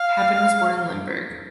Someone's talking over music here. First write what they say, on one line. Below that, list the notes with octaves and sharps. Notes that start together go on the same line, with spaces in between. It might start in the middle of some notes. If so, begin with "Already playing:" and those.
Papen was born in Limburg.
Already playing: F5